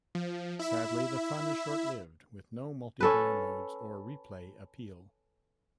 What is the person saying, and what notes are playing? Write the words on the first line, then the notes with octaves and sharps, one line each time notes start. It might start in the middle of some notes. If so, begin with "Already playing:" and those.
Sadly, the fun is short-lived, with no multi-player modes or replay appeal.
F3
E4 E5
C#4 A4 B4